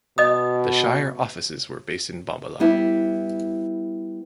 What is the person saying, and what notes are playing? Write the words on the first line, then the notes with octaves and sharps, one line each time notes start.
The shire offices were based in Bombala.
B2 D#5 D#6
G3 B3 E4